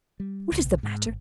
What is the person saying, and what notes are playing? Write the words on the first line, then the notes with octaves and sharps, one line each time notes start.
What is the matter?
G3
C#2
B1
G#2
G#1